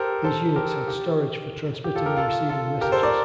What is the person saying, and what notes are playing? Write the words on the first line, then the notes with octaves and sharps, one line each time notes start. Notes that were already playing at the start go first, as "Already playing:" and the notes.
These units had storage for transmitting and receiving messages.
Already playing: G4 A4 A#4 C5
A4 C5
G4 A#4
G4
G4
F4 A4
G4 A#4
F4 A4
F4 A4
G4 A#4
A4 C5
A#4 D5